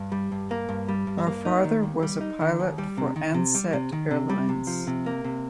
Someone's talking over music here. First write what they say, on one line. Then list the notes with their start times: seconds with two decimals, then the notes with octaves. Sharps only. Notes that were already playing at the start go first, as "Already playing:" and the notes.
Her father was a pilot for Ansett Airlines.
Already playing: G2
0.12 G3
0.32 G2
0.51 A#3
0.69 G2
0.89 G3
1.07 G2
1.27 A#3
1.45 D#4
1.64 D#3
1.83 D#2
2.03 G3
2.21 D#4
2.41 D#3
2.60 D#2
2.78 G3
2.97 C3
3.16 D#3
3.34 C3
3.54 G3
3.73 C3
3.92 D#3
4.11 C3
4.30 G3
4.49 C3
4.67 F3
4.87 C3
5.06 A#3
5.25 C3